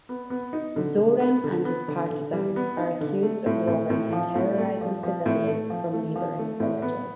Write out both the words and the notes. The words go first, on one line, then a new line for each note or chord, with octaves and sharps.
Zorin and his partisans are accused of robbing and terrorising civilians from neighbouring villages.
B3
B3
D#4
D3
D3
B3
D3
B3
D3
D3
G3
B3
D#4
D3
A3
A2
A2
A2
F3
A2
A3
F3
F3
A2
A3
F3
A3
F3
A3
A2
B3